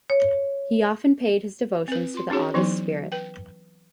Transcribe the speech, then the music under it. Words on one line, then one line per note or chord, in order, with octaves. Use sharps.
He often paid his devotions to the august spirit.
C#5
C4 B4
F4 C6
C#4 D#4 F#4 G#4 C#5
E3 F#3 B3 D#4 E4
B4 G5